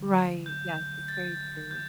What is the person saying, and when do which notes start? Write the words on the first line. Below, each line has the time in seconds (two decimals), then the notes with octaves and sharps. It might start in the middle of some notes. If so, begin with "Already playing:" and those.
Right, yes, that's very true.
Already playing: D3 F#3 A3
0.46 G6
1.08 A6
1.71 G6